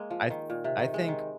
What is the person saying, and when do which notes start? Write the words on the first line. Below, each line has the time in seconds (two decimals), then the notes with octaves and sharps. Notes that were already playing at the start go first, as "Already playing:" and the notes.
I th I think
Already playing: G#3 A#3
0.11 F3
0.30 D#3
0.50 A#2
0.64 C3
0.79 D#3
0.94 G#3
1.08 D#3